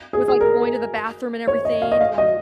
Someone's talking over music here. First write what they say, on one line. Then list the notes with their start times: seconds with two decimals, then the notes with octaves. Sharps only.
with, like, going to the bathroom and everything, like
0.13 G#4
0.28 G#4
0.41 A#4
1.47 C#5
1.65 D#5
1.82 F5
1.92 D#5
2.01 F5
2.18 D#5